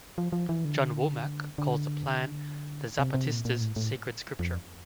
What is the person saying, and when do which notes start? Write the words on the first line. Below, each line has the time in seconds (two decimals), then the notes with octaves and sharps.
John Womack calls the Plan the Zapatistas' "Sacred Scripture".
0.18 F3
0.32 F3
0.49 E3
0.65 D3
1.58 D3
2.99 C3
3.14 C3
3.30 A#2
3.45 A#2
3.61 A2
3.76 A2
4.39 F2